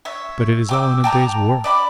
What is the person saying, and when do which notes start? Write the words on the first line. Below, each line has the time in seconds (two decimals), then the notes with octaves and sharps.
But it is all in the day's work.
0.05 C#5 E5
0.69 G5 D6 E6
1.04 G5 A5 A#5 D6
1.64 D5 E5 B5 D6